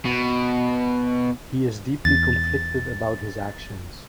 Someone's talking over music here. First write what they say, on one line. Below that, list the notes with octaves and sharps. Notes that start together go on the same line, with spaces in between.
He is deeply conflicted about his actions.
B2
E2 A6